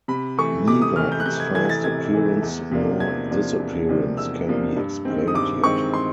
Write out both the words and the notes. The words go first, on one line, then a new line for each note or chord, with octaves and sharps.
Neither its fast appearance nor disappearance can be explained yet.
C3 B5
E3 A3 C#6
C3 D6
D#6
E3 A3 F6
G6
F#6
C3 G6
G#6
E3 A3 G#6
G#6
A6
C3 G#6
E3 A3
E2
C3 F3 A#3 D4
E2 G#6
C3 F3 A#3 D4
E2
C3 F3 A#3 D4
E2 E6
C3 F3 A#3 D4
G2
D#3 G#3 C4
D#6
G2 D6
D#3 G#3 C4 C#6
C6